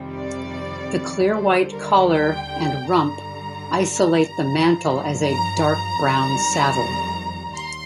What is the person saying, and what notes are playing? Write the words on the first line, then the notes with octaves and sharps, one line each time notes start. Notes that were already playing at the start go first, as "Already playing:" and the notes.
The clear white collar and rump isolate the mantle as a dark brown 'saddle'.
Already playing: F2 C3 D#3 G3
D5
D#2 D3 G3 C5
A#4
G5
G2 D3 G3 A#5
G2 F3
A#5
A#5
F2 D#3 G3
D#2 C6